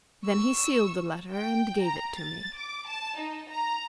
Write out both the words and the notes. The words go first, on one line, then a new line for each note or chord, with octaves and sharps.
Then he sealed the letter and gave it to me.
C#6 E6
G5
A#5
A6
D6
A5
D#4
A#5